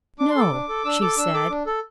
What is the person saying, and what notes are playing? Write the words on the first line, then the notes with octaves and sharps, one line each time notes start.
"No," she said.
D4 D6
C6
A4 D6
D4
A4
D4 E6
A4 D6
D4 E6
A4 D6
D4
A4